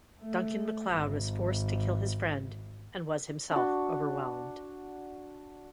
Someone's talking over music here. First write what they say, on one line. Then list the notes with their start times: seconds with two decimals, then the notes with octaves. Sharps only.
Duncan MacLeod was forced to kill his friend and was himself overwhelmed.
0.22 A3
0.94 G#1
3.51 D4 F#4